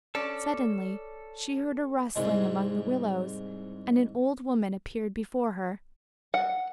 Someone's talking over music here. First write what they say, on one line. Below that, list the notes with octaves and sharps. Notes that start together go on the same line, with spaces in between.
Suddenly she heard a rustling among the willows, and an old woman appeared before her.
C#4 A4 D5
C2 G#2 G#3
F#5